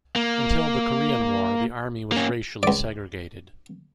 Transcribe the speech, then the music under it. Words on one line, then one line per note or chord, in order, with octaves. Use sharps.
Until the Korean War, the Army was racially segregated.
A#3
A#3 C#4
C#2 D5